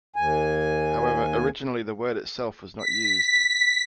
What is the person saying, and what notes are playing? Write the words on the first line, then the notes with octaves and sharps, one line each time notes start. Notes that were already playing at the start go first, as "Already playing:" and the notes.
However, originally the word itself was not used.
D#2 G#5
B6